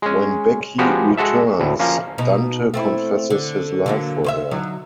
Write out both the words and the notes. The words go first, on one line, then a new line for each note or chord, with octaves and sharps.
When Becky returns, Dante confesses his love for her.
G#3 C#4
F3 G#3 B3 C#4 F#4 G4
G#3 F#4 A4 E5
D2 A2
F3 A#3 C#4
B2 D#4
A3 C4 E4
D3
D3 F#3 A#3
C#3 C5 E5
D3 F#3 D#4